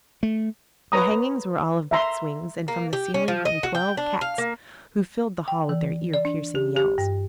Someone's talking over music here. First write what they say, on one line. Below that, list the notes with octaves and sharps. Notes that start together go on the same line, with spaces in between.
The hangings were all of bats' wings, and from the ceiling hung twelve cats, who filled the hall with their ear piercing yells.
A3
B4 C#5 A#5 D#6
E5 A#5 C6
A#3
G4
C#4
F3
D#5
F#4
G5
D4
F5
A#3
G5
E3
D5
D4
G4
G4
G2